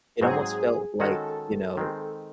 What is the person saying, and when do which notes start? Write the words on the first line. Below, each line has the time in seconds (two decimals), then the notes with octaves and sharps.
it almost felt like, you know,
0.21 G#2 F#3 C4 F#4 G#4
1.00 D#3 G#3 C#4 F#4 A4
1.77 D#3 G#3 C4